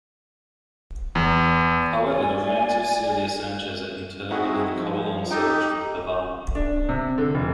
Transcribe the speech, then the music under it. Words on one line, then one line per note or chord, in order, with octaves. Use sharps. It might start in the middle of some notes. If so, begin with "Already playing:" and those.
However, the remains of Celia Sanchez are interred in the Colon Cemetery, Havana.
E2
D5 G#5
C4 D#4 E4 F#4 G#4 F#5
F3
D#4 G4 A4 D#5 G5
D4
C3
D3
F1